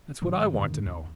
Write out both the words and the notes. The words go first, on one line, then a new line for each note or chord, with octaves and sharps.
'That's what I want to know.
A1 G#2 D#3 F#3
F2 A2 D3 D#3
D#2